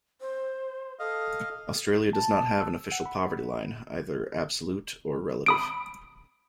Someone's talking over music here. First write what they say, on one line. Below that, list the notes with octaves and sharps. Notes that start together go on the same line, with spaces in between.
Australia does not have an official poverty line, either absolute or relative.
C5
A4 D#5 F5
A5
E6
F#5
B5
B5 D#6 D7